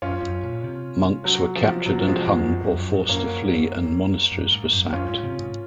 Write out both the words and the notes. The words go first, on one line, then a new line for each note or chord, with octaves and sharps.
Monks were captured and hung or forced to flee and Monasteries were sacked.
F#2 C#4 F4
F#2
A#2
C3
F#3
F3
C3 F#3
C3 F3 G#3
F2 F#3
F#2
F2
F#2
G#2
F#2 A#3 C#4
F#2
G#2
F#2
F#2 C#4 F4
G#2
C3
G#2